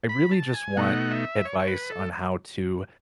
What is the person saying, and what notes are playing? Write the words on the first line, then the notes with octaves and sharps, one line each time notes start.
I really just want advice on how to
B5
A5
G#5
B2 A3 D#4 F#5
E5
C#5
C#5
B4
A4